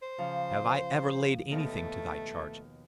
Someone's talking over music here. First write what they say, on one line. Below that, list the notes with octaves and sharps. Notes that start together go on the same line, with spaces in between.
Have I ever laid anything to Thy charge?
C5
C#3 F3
D#2 B2 A3